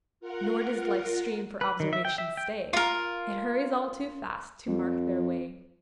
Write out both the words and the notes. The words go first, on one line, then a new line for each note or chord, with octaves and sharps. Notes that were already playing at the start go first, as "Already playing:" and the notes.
Nor does life's stream for observation stay; It hurries all too fast to mark their way.
F4 A#4 F#5
B4
D#3
E5
G5
E5
G5
F4 A#4
F2